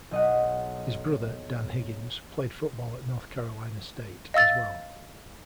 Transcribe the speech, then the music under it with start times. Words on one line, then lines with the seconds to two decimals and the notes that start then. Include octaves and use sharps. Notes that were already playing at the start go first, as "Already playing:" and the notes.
His brother, Dan Higgins, played football at North Carolina State, as well.
0.11 B1 D#5 F#5
4.34 D#5 F5 E6 A6